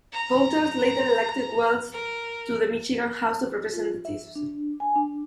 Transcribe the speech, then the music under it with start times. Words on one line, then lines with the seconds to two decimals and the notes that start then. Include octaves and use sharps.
Voters later elected Wells to the Michigan House of Representatives.
0.13 A#5
1.92 A#4
3.73 F4
4.05 E5
4.35 D4
4.80 G#5
4.96 D4